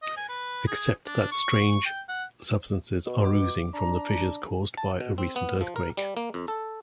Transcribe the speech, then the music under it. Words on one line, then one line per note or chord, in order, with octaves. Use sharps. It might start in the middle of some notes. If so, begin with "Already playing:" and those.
Except that strange substances are oozing from the fissures caused by a recent earthquake.
D#5
G#5
B4
G#4
D4
C#6
G5
F#5
B2
D6
D4 A#5
A5
B2
C4
B3
F3
A#4
G3
A#3
F2
A4